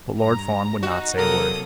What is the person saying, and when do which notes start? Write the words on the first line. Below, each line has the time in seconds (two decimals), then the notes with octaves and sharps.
But Lord Fawn would not say a word.
0.19 G2 A#5
0.83 D#4 F#4
1.16 C3 F#3 A#3 A4 A#4 D#6